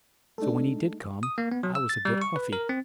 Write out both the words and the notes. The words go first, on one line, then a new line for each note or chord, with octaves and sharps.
So when he did come, I was a bit huffy.
G#3 A3 D4 D#4 A4
D#6
A#3
B3
F#3
E6
A6
G3
C#6
B4
A#4
C4